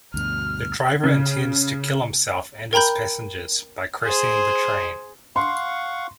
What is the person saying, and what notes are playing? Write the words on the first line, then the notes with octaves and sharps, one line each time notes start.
The driver intends to kill himself and his passengers by crashing the train.
D2 G2 B2 F6
C#3
A#4 G5 A#5 B5 G6
G#4 C5
F5 F#5 C6 C#6